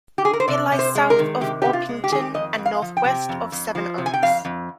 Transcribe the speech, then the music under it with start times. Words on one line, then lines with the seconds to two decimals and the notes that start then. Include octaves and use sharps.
It lies south of Orpington and north west of Sevenoaks.
0.18 G4
0.25 G#4
0.33 A#4
0.40 C5
0.48 C3 D5
0.72 C3
0.79 C5
0.95 G#3
1.10 A#4
1.19 D#3
1.41 C3 G4
1.62 C3 G4
1.73 F4
1.89 G#3
2.04 G4
2.12 D#3 G#4
2.21 G4
2.35 F2 D#5
2.58 F2
2.66 F5
2.82 F3
2.97 G5
3.04 C3
3.29 F2
3.52 F2
3.75 F3
3.98 C3
4.06 G#5
4.14 G5
4.22 F2 F5
4.45 F2